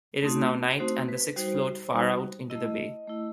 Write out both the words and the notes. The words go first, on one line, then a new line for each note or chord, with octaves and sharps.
It is now night and the six float far out into the bay.
A3 C4 D#4 F#4
A3 C4 D#4 F#4 C5
B4
G3 D#4 F#4 C5
G3 D#4 F#4
E4 D#5
A3
A3 E4